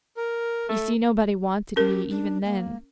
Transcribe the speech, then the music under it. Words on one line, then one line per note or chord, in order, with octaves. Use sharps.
You see, nobody wanted me even then.
A#4
A3
C#4 G4 A#4
D4
A#3